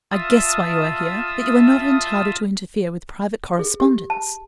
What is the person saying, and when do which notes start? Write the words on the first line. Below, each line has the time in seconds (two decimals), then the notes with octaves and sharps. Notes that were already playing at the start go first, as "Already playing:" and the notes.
I guess why you are here, but you are not entitled to interfere with private correspondence.
0.11 F4 E5 A5 D#6 E6
3.59 G#4
3.80 G4
4.10 A5